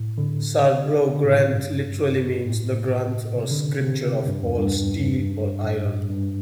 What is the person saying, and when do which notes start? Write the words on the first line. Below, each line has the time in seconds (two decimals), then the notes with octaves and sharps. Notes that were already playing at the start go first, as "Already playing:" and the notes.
Sarbloh Granth literally means "the Granth or Scripture of all-steel or iron".
Already playing: A2
0.18 D3
1.09 D3
1.24 A2
1.39 C3
1.55 G2
2.45 A2
3.36 C3
3.51 D3
3.82 C3
4.27 G2
4.42 E2
4.57 G2
5.64 A2
6.09 G2